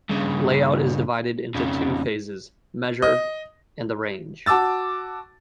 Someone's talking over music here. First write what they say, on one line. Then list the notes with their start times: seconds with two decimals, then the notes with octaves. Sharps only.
Layout is divided into two phases: "Measure"; and "Arrange".
0.09 G2 C#3
1.55 F2 C#3
3.02 D#5
4.46 F#4 A5 D6 E6 A6